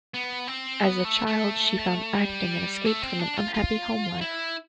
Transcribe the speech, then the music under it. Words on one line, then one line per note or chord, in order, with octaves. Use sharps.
As a child she found acting an escape from an unhappy home life.
B3
C4
B3
A3
A3
G3
A3
C4
D4
F4
F4
E4